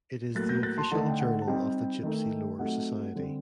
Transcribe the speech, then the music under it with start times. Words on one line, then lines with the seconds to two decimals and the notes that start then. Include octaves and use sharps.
It is the official journal of the Gypsy Lore Society.
0.35 A2 F#3 A#3 F#6 A6
0.49 G6 A#6
0.63 F#6 A6
0.78 A5 C6
0.91 D3 A3 D#4 F#5 A5
1.08 G5
1.20 F#5
1.42 A5
1.47 C3 G3 C4 D#4 G5
2.03 D#3 A3 D#4
2.59 C3 F#3 A3 D#4 F#5
3.15 D3 G3 C4